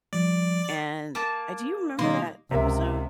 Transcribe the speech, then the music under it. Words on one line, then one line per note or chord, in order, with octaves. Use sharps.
and uh, do you remember that episode?
F3 G3 D5
A#3 A5
B2 D#3 G3 A#3 D#4 C6
C#2 C3 A#4 E5